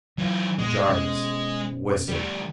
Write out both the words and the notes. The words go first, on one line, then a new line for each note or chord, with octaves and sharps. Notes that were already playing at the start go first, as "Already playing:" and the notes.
Jarvis whistled.
E3 F#3 F4
A#2 G#3 B3
B2 C#4
D2 G3